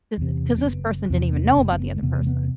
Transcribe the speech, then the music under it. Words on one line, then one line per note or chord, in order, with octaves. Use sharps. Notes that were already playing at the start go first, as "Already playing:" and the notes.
'cause 'cause this person didn't even know about the other person.
E2 C3
C4
F#1 B3
E2 C3 C4
B3
F#1 C4
C4
B3
A3
E2 C3 B3
A3
B3